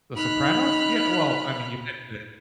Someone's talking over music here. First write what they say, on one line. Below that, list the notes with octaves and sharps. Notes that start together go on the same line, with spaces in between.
The Sopranos? Yeah, well, I mean, you mentioned it
D#4 B5 F6 F#6